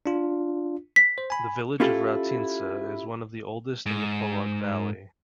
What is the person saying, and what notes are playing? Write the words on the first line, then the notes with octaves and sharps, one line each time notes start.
The village of Raotince is one of the oldest in the Polog Valley.
D4 F4
B6
C5
G#5 B5
C#4 E4 F4 G4 A4
G#2